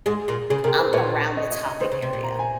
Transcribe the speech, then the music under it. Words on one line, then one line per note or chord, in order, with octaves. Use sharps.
um, around the topic area.
G#2 G#3 G#4
A#2 A#3
C#3 G#4
C3 A#4
C5
A#2 C#5
D#5
D#5
D#5
D#2 D#3 C5
C#3
C3
A#2
A#5
G#5